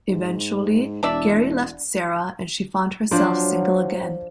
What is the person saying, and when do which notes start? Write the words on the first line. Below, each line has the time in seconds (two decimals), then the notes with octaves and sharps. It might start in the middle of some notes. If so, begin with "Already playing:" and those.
Eventually, Gary left Sarah and she found herself single again.
0.08 G#2
1.03 E1 D4 D5 E5
3.11 F3 F#3 D4 C5